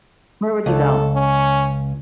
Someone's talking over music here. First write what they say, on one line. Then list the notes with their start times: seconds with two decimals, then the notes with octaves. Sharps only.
Where would you go?
0.66 C#2 A4
1.14 C#4